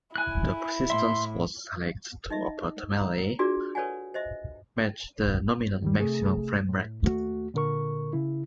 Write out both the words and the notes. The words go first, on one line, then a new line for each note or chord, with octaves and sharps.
The persistence was selected to optimally match the nominal maximum frame rate.
E4 G#5 F#6
A2 E5 C6
D#4 D#5 E5
A#5
D4 F4 F#4 G#4 A#4 D5
A4 B4 C#5 D5 F#5 G#5
C5 D#5 E5
D#2 D#3 G3
C3 A3 G#4
A2
D#2 A3 F#4
A#2 D3 A#4 C#6
C#3 E4